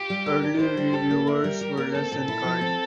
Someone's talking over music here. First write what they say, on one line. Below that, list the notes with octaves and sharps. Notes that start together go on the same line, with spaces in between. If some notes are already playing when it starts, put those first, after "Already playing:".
Early reviewers were less than kind.
Already playing: F4 G4
G3
A#4
D4
E4 C5
G3
G4 A4
A#3
E4 A#4
G3
G4
A#3
C4 A4
A#2
E4
F3
C4